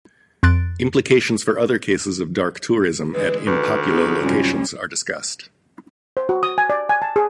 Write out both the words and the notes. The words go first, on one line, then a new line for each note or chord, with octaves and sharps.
Implications for other cases of dark tourism at "in populo" locations are discussed.
F2 C6 F#6 A6 D7
D3 E3 G#3 B4
D2 D#3 B4
B3 D#4 G#4
F#2 C3 D#3 G3 C#4 F4
C5
F#4
D#6
G#5
D5
G#5
A5
G#4